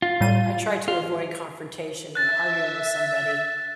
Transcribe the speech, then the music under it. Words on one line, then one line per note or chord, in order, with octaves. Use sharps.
I try to avoid confrontation and arguing with somebody
F4
A2 G3 D#7
F4
E5 F#6 A6